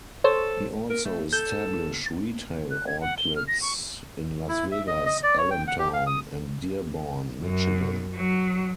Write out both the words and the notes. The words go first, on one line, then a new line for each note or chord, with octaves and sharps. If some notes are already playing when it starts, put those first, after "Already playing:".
He also established retail outlets in Las Vegas, Allentown, and Dearborn, Michigan.
A4 C5 C#5
A#4
A3
A4 G6
F#6
G#6
F#5
G7
F6
A#6
C#6
E4
E5
D#5
D#5
D5
C#5
G5
F#5
G4
F5
D#6
F#2
F#3